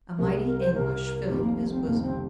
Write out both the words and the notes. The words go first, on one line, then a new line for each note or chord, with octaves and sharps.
A mighty anguish filled his bosom.
C2 C3 G3 A#4
G#4
A#4
C5
C2 C3 G3 A#4
F1 F2 D#3 G3 G4
A#3
A#3
C4
F1 F2 D#3 G3 A#3
C4